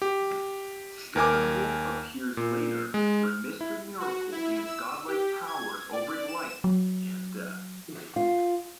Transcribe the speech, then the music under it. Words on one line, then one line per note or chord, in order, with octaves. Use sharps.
Steppenwolf appears later when Mister Miracle gains godlike powers over life and death.
G4
D#2 A#4 G#5 D6
A#2
G#3
F6
E4
F#4
E4
E6
G4
G#6
D5
E7
F#3
F4